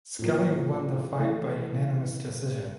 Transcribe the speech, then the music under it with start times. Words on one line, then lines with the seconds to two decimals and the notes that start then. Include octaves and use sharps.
Skelly won the fight by unanimous decision.
0.19 A2 F3 A#3
1.19 E3 A3 E4